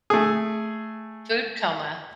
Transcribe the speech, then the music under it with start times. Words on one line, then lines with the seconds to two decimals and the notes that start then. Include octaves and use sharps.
Food coma.
0.10 A3 G#4